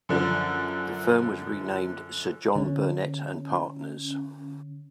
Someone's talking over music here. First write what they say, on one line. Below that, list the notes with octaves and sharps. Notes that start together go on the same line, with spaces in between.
The firm was renamed Sir John Burnet & Partners.
F#2 D3 F3
D3 C#4